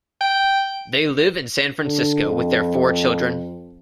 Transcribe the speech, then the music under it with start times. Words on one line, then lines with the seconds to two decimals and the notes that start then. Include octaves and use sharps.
They live in San Francisco with their four children.
0.21 G5
1.83 D3
2.25 F2